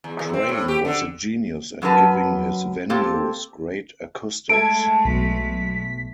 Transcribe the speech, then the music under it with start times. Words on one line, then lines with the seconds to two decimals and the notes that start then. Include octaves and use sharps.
Crane was a genius at giving his venues great acoustics.
0.04 E2
0.19 E2
0.33 C4
0.49 A2
0.68 G4
0.85 D3
1.82 F#2 F#3 A#4 B4 A5
2.90 A#3 C4 G4 A4
4.49 G#3 A3 A4 E5 A5 G#6 D7
5.05 B1 B6